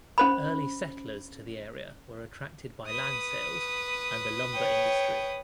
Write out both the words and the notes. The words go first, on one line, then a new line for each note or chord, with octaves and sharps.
Early settlers to the area were attracted by land sales and the lumber industry.
C#4 C5 B5
B4 D#6
C#5 G5